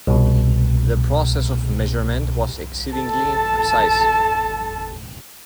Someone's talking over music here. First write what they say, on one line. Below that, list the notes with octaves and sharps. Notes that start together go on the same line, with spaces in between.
The process of measurement was exceedingly precise.
C2 B2
A4 A5